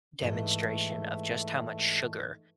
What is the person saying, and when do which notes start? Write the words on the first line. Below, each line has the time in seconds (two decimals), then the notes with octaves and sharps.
demonstration of just how much sugar
0.21 G#2 E3 G#3 A3